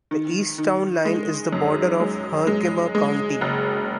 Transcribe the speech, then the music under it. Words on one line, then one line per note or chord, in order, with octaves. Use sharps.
The east town line is the border of Herkimer County.
D#3
D#3
G#3
F#2
G#3
G#3
G#3
F#1